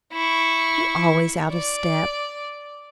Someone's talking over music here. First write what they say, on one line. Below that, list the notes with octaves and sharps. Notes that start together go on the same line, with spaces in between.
You're always out of step.'
E4 C#6
D5